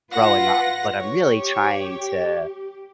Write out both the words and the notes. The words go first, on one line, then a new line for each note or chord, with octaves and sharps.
growing up, but I'm really trying to
F4 B4 F#5 A#6
G4 C#5